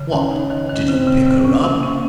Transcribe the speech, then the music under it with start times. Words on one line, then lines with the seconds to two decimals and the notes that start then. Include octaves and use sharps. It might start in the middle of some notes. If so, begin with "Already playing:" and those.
"What! did you pick her up?"
Already playing: C#3
0.12 D#3 C#4
0.31 D#4
0.50 D#3
0.70 D#3
0.88 C#3 C4
1.07 C#3
1.27 C#3
1.45 C#4
1.64 C3 A#3
1.83 C#4